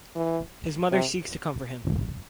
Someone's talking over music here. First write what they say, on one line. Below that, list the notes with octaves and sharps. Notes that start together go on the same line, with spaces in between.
His mother seeks to comfort him.
E3
C3